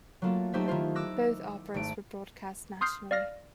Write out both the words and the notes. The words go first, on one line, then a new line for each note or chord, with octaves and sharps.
Both operas were broadcast nationally.
F#3 A3 A#3 F4 A4
F#3 A3 D#4 G4 C5 E5
D#3 E4 F4 C5
D6 E6 F#6 A#6
G#1 A3 D7
C6 D#6 F6 G6 C7
D5 F5 F6 A#6